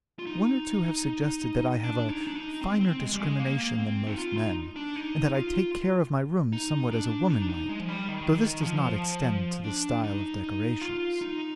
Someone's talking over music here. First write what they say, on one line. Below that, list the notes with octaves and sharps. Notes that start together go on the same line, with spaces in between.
One or two have suggested that I have a finer discrimination than most men, and that I take care of my rooms somewhat as a woman might, though this does not extend to the style of decorations.
F4
D#4
D4
D#4
D4
D#4
C4
C4
G#3
G3
G#3
A#3
C4
D#4
F4
D#4
D4
D#4
F4
D#4
D4
D#4
D4
D#4
G#3
F3
G3
D#3
D#3
F3
D4
D#4
D#4
F4
D#4